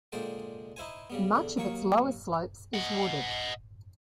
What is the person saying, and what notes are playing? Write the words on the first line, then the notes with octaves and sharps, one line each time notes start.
Much of its lower slopes is wooded.
A#2 D3 G#3 C5 D5 G5
D#4 E4 C5 G#5
C#3 G3 B3
E2 D3
D#2 F#3 A#3 C#5 C#6
D#5 F#5